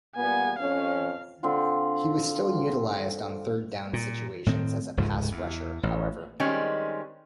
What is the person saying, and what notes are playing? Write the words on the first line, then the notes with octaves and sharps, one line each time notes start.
He was still utilized on third-down situations as a pass rusher, however.
A#2 G3 B3 G#5
F2 C#4 F5
D3 C4 F4
A#2
A2 D#3 C4
F1 C#2 G#2 F3
E2
A1
D#3 G3 G#3 C4 C#4